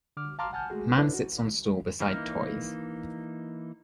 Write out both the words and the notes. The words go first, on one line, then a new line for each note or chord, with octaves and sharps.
Man sits on stool beside toys.
D3 D6 F6
F5 A5 A#5 C6 D6 F6
F#5 G#5 A5 F6 G6
G#3 A3 F#4 G#4
C#4 D4 E4 A4 B4
F#4
E3 A#3 D#4 F6